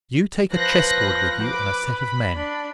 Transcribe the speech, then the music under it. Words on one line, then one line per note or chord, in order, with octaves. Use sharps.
You take a chessboard with you and a set of men.
F3 B4 F#6 A#6
B4 D6
B5
D4